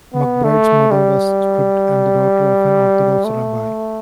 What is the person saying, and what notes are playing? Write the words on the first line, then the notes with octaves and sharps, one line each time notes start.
McBride's mother was strict and the daughter of an Orthodox rabbi.
B3
A3
G3
A3